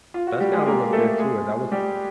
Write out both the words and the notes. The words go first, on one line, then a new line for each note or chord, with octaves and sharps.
Jessica Alba was good too. Uh, that was
F4
F#4
G3 G4
G#3 G#4
A#3 A#4
A3 A4
G#3 G#4
G3 G4